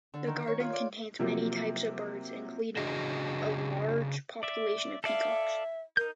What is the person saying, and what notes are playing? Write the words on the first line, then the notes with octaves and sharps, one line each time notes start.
The garden contains many types of birds, including a large population of peacocks.
D3
D#3
C#5
F4
D5
C3 F3 F#3 A#3
C#3 D4 F#4 G#4 D#5
D5 E5
A4 D5 E5 F5
D#4 A#4 G6